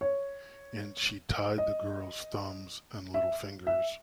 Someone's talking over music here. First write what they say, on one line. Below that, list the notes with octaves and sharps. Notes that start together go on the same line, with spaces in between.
And she tied the girl's thumbs and little fingers.
C#5
D#5
E5
E5